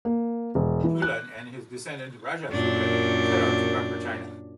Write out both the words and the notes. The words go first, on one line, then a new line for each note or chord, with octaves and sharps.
Shulan and his descendant Raja Chulan set out to conquer China.
A#3
E1
E3
F#6
F#2 A#2 D4